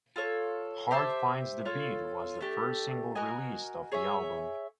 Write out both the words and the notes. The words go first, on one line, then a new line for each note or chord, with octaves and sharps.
"Heart Finds the Beat" was the first single released off the album.
F4 A4 C#5
G4 C5 E5 A5
F4 A4 C#5
A3 D4 G4
F#4 A#4 D#5 G#5
G#4 C#5 E5